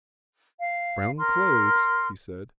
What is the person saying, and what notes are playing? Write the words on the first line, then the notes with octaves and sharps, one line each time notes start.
"Brown clothes?" he said.
F5
A#4 C6